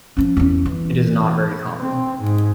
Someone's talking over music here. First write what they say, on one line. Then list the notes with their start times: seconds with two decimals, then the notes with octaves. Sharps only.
It is not very common.
0.17 F3 C#4
0.37 E2 C#4
0.66 E3
1.81 C4
2.18 G#2